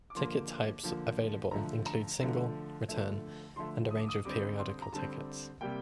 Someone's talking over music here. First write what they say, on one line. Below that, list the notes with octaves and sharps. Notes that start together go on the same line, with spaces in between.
Ticket types available include single, return, and a range of periodical tickets.
D6
D3 F3 A#3 C6
D3 F3 A#3
D3 F3 A3 A#5
A#5
D3 F3 A3
D3 F3 A3
D3 F3 A3 C6
D#6
D6
D#6
D3 G3 C4 D6
C6
A#5
D3 G3 C4 A5
C3 G3 A#3 G5